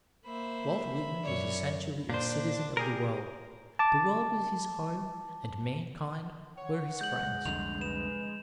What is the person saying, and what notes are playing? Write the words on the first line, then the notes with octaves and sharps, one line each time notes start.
Walt Whitman was essentially a citizen of the world: the world was his home and mankind were his friends.
A#3 C5 E5 B5
F#2 C#5 D5
A#2 D4 C5
A#2 G4 G#4 A#4
A5 D6
C#5 F#5
G#3 G6 F#7
C2 F2 D3 F7
B4 E7